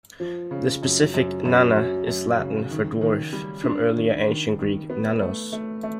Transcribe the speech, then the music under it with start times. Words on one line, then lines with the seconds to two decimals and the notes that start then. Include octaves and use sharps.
The specific "nana" is Latin for "dwarf", from earlier Ancient Greek "nanos".
0.20 F3
0.51 C#3
0.83 F#2
1.14 F#2
1.45 F#2
1.76 F#2
2.07 F#2
2.39 C#3
2.70 D#3
3.01 D#3
3.33 G3
3.64 D4
3.96 D#3
4.27 D#3
4.59 D#3
4.90 B3
5.22 A3
5.52 A3
5.83 A3